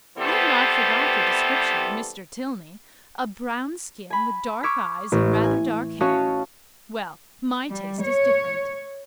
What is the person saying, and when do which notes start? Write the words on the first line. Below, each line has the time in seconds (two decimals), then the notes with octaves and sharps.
I have not forgot your description of Mr. Tilney: 'a brown skin, with dark eyes, and rather dark hair.' Well, my taste is different.
0.17 C3 E3 G3 B3 A4 C5
4.10 G#5 B5
4.63 C#6 D6 E6 F6 G#6 B6
5.12 A1
5.44 G#5
6.00 C#4 F#4 C#5 D#5 F5 A5
7.69 G3
8.01 C#5